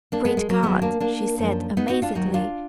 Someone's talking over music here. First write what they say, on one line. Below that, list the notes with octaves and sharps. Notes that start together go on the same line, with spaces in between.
"Great God!" she said amazedly.
A#3 D4
G#3 B3
G#3
F#3 A#3
D#2 D#3 F#3 G#3 B3
A#3 D4
A#3 D4
F#2 F3
B3 D#4
D#4 F#4
D4 F4
D#2 D#3 F#3 D#4 F#4
D4 F4